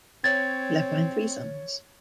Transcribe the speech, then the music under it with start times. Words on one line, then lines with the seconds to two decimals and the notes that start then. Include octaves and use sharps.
He left behind three sons.
0.24 C4 C#5 G#6 A6